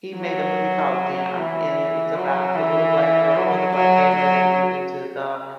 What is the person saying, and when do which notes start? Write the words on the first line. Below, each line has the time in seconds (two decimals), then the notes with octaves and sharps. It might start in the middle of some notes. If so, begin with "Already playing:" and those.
He made a movie called Them, and it was about the little Black girl or the Black family that moved into the
0.17 F#3
1.37 E3
2.16 F#3
2.56 E3
3.36 F#3
3.75 F#3
4.15 F#3